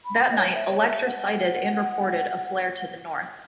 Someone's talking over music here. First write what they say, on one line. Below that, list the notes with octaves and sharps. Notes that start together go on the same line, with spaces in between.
That night "Electra" sighted and reported a flare to the north.
B5
F#5
D#5
C#5
E5
C#5
E5
F#5